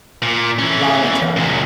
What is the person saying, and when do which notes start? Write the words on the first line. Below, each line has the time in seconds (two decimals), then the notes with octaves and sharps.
Lana Turner.
0.22 A#2
0.59 E3 C#4
1.37 C#2 A#2